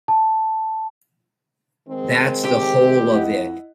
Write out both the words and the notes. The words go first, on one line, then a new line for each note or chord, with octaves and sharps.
That's the whole of it.
A5
D#3 G#3 C4
G4
F2 E4 D#5 F#5